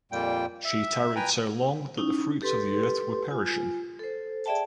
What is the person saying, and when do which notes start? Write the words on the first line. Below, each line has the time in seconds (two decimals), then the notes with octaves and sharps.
She tarried so long that the fruits of the earth were perishing.
0.12 F2 A#2 G3 A#3 G5
0.65 E5
1.16 B4 G5 G#5 A#5
1.97 C#4 D#4 E4
2.42 G4 A4 B4 C6
3.31 F4 G#5
3.99 A4 C5
4.46 G#4 D5 E5 G5 A5